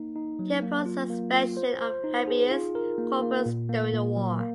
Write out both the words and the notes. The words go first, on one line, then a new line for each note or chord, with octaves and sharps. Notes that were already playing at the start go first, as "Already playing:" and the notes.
He opposed the suspension of habeas corpus during the war.
Already playing: A#3 D#4
D#4
F#3
A#3
F4
A#3
F4
C5
C5
D#4
G#4
F4
A#4
A#3
A#3
A#2
A#3
A#2
F#3
A#3